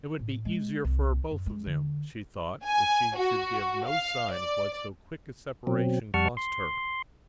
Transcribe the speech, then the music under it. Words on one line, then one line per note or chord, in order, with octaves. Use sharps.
It would be easier for both of them, she thought, if she should give no sign of what so quick a separation cost her.
A2
G#3
C2
F#2
G#3
D3
G#5
F#4
F5
D5
B2 F#3 C4
F2 G3 F#5 A5 C#6 F6
C6